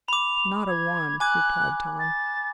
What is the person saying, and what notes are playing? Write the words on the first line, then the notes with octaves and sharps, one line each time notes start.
"Not a one," replied Tom.
B5 D6 F7
G#6
G#5 D6 F#6 G#6
A6